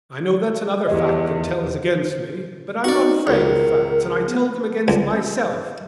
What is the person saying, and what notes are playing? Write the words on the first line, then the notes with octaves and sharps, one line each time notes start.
I know that's another fact that tells against me, but I'm not afraid of facts and I tell them against myself.
E2 G4 D#5
D#4 F#4 D5
C#2 A#4
B3
C#2